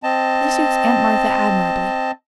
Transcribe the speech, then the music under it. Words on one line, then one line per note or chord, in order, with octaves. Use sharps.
This suits Aunt Martha admirably.
C4 D#5 A5